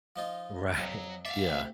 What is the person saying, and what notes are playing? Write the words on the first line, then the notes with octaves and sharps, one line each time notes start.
Right. Yeah.
F3 D#4 F4
F2 F#3
D5 E5 F5
D2 C3